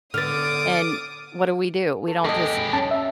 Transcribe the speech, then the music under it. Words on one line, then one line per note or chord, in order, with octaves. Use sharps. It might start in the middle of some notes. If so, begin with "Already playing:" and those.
And what do we do? We don't just,
D3 B3 D6 D#6 F6 A6
A4
G#3 G4 A4 D#5
C#4 A5
E5